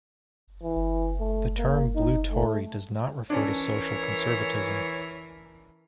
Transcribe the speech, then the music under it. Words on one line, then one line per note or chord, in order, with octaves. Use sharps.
The term Blue Tory does not refer to social conservatism.
E3
A3
A#3
D#4
A3
E3 C#4 D4 A#4 C#5